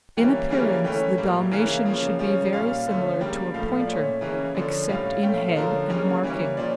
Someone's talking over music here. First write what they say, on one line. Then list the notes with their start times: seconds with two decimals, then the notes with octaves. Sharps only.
In appearance the Dalmatian should be very similar to a Pointer except in head and marking.
0.17 E3 G3 A#3 C#4 G5
0.50 C#3 E3 G3 A#3 C#4
0.84 E3 A3 C#4 G5
1.18 A2 G3 A#3
1.51 C#3 E3 A#3 C#4 F5
1.85 C#3 F3 A#3 C#4
2.19 C#3 F3 C#4
2.53 A#2 G3 C#4 F5
2.87 D3 F3 A3 C#4
3.20 C#3 G3 A#3 G5
3.54 A2 F3 A3 F5
3.79 D5
3.87 A#2 A3 C#4 C#5
4.21 C#3 E3 A#3 C#4
4.55 D3 F3 C#4 D5
4.88 A2 G3 C#4 F5
5.22 A#2 A3 C#4 G5
5.34 F5
5.45 F5
5.56 D3 F3 C#4 A#4
5.90 C#3 G3 A#3 C#4
6.23 E3 G3 A#3 C#4
6.57 A#2 F3 C#4 D5